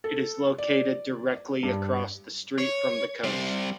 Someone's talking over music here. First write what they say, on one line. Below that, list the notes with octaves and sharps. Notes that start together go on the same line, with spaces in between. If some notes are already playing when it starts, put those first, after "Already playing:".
It is located directly across the street from the coast.
A4
D5
G2
C#5
G3 C4